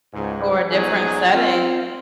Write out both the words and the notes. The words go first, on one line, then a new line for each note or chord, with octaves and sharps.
Or a different setting,
C#2 G#2
B1 F3 F#3 B3 D#4 G#4
C4 F4